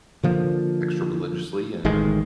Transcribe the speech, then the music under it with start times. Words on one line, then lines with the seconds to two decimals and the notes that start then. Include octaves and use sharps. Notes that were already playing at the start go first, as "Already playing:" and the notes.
extra religiously and,
0.23 D3 F3 A#3
1.85 A1 D#3 G#3